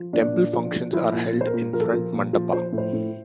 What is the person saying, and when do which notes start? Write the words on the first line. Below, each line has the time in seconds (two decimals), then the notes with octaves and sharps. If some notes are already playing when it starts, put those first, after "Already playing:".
Temple functions are held in front mandapa.
Already playing: F3
0.13 A#2 D4
0.33 A#2
0.53 F3
0.73 F3
0.93 F3 E4
1.13 A#2
1.33 A#2
1.41 C5
1.47 A#4
1.54 A#2
1.73 F3 A#4
1.81 A4
1.88 F3 A#4
2.13 A#2
2.33 F3
2.53 F3 C5
2.73 A2
2.78 C5
2.93 A2